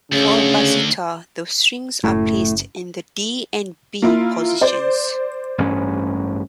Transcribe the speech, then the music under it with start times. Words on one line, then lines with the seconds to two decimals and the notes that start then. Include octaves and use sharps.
For a basitar, the strings are placed in the D and B positions.
0.12 D2 C#3
2.04 F#1 A2
4.02 A#3 E4 F4
4.61 C5 D5
5.58 A1 G2 C#4